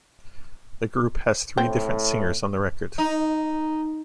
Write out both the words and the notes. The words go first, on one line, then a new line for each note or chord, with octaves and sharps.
The group has three different singers on the record.
A2 C4
D#4